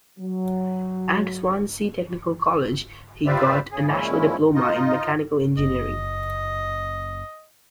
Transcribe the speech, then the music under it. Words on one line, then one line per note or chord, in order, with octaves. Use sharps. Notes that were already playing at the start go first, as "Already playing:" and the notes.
At Swansea Technical College he got a National Diploma in mechanical engineering.
F#3
F4 G4 B4 C5 D5 E5
C#3 G#4
A#2 F3 G#3 C#4 E4
D#4 F4 D#5
F#1 D#5